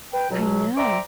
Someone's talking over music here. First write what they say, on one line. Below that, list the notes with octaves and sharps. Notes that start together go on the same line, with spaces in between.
I know.
B4 G5
C#2 B2 F#3
C5 D5 E5 G5 A#5 D6